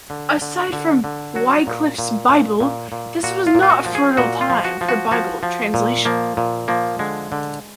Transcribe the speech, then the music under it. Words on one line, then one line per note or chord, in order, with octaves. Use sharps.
Aside from Wycliffe's Bible, this was not a fertile time for Bible translation.
D3
D3
D3
D3
F#3 F#4
A#2
A#2
A#2
A#2
A#2
A#2 F#4
F4
A#2
F4
F#4
F3
G#4
A#2 F#4
F4
F3
F#4
F3
F#4
F3 F#4
F3
A#2
F3 A#3
A#2
F3 A#3
D3 G#3
D3